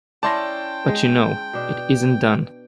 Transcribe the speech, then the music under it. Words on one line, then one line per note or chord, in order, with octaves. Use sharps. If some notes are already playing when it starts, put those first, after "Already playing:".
But you know, it isn't done.
C#4 E4 D5 G5 A5 C6 A#6
G#3
B2 D4